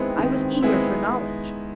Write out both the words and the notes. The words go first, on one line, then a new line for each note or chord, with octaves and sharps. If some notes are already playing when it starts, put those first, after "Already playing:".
I was eager for knowledge.
Already playing: D#3 G#3 B3 C4 E4
D#3
G#3 B3 E4